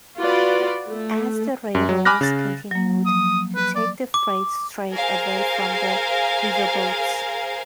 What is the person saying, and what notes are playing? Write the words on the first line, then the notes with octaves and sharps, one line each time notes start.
As the railroads continued to take freight trade away from the riverboats.
F4 F#4 B4 D5
A3
F#2
F#3
G#5 B5 D6 F6 F#6 A#6
C#3 A6
F#3 A#3
F3 D#6
B4
D5
D6
G#4 A#4 C5 F5